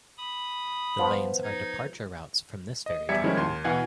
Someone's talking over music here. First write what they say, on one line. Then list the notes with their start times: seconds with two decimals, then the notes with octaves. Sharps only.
The lanes are departure routes from this ferry terminal.
0.18 B5 D#6
0.99 F3 B3
1.43 D#4 G#6
2.86 D#5
3.09 E2 G3 E5 G#6 C#7
3.24 D#3 F3 G3 G#3 C#4 E4
3.37 D#2 C6
3.64 B2 E3 F5 F#5 G#5 G#6